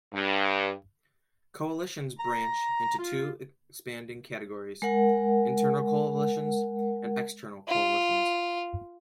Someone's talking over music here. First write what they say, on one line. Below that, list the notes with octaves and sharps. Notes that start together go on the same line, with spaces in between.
Coalitions branch into two expanding categories: internal coalitions and external coalitions.
G2
A#5
F4
G#3 A#4 F#5
F4